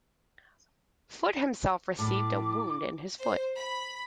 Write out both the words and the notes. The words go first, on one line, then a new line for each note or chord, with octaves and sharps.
Foote himself received a wound in his foot.
A2 D6
C5
B5